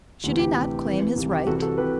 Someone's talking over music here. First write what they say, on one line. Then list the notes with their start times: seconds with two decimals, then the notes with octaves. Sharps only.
Should he not claim his right?
0.24 D2 C3 E3
0.39 G4
0.55 D2 C3 E3
0.86 C2 C3 E3
1.15 C2 C3 E3
1.31 G4
1.47 C2 C3 E3 F#4 A4
1.62 F#4 A4
1.78 C3 E3 G4 B4